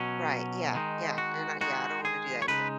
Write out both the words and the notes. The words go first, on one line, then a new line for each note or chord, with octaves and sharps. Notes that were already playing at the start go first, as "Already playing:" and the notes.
Right. Yeah. Yeah. And I yea, I don't wanna do that either.
Already playing: B2 F#3 C#4
D#3 G#3 D#4
F#4
D#3 G#3 D#4 F#4
G#4
C#5
C#3 G#3 D#4 B4